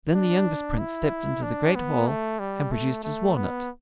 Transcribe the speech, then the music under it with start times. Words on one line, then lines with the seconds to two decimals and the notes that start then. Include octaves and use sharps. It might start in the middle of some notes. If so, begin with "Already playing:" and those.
Then the youngest Prince stepped into the great hall and produced his walnut.
0.14 D4
0.79 E4
1.43 D4
1.75 B3
2.07 A3
2.39 G3
2.71 A3
3.03 A3
3.36 B3